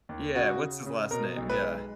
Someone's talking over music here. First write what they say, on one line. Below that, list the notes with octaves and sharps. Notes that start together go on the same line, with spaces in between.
yeah, what's his last name? Yeah.
D#2
C#3 F#4
C#3
C#3
B2 A#4
B1
B4
G#3